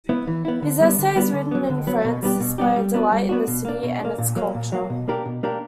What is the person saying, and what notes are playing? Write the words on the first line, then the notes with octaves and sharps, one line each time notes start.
His essays written in France display a delight in the city and its culture.
B3 E4
E3
B3 E4
D3
G3 B3 D4
D3
G3 B3 D4
D3
F#3 B3
D3
F#3 B3
B2
G3 B3 D4 G4
B2
G3 B3 D4 G4
G3
B3 D4 F#4
G3
B3 D4 F#4
B2
A#3 D4
B2
A#3 D4
A#2
F#3 A#3
A#2
F#3 A#3
B2
A#3 D4 G4 A#4
B2
A#3 D4 G4 A#4